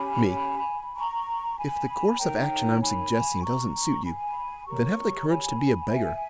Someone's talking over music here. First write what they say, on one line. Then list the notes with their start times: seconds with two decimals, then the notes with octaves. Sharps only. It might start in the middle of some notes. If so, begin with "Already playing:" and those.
ME: If the course of action I'm suggesting doesn't suit you, then have the courage to be a beggar.
Already playing: C#4 G4 C#5 G#5 B5
0.96 A#5 C#6
1.58 G#5 B5
2.19 D#4 A#4 C#5 G5 A#5
2.82 G#5 B5
3.43 A#5 C#6
4.05 G#5 B5
4.66 G4 A#4 C#5 A#5 C#6
5.28 G#5 B5
5.90 E5 G#5